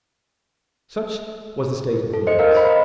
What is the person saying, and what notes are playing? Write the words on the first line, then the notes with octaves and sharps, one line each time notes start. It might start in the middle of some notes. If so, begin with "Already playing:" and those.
Such was the state of things.
A4
C5 D#5 C#7
A#4 F5
C5 B5
D#5